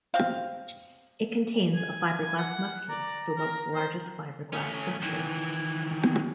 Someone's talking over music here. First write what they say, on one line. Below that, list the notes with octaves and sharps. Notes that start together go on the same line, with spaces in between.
It contains a fiberglass musky, the world's largest fiberglass structure.
C4 F5
G#5
F#5
D5 A#5
A#4
C5
A3 C#4
D#3 E3